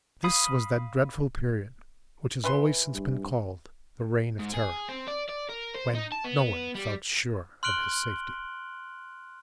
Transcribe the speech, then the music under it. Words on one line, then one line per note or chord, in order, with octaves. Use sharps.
This was that dreadful period which has always since been called "The Reign of Terror," when no one felt sure of his safety.
F5 B5 D#6
E3 B4 C6
G2
G#2
G#4
C4
D5
D5
A#4
C5
D#4
A5
B3
G3
C6 F6 F#6 D7 F#7 G7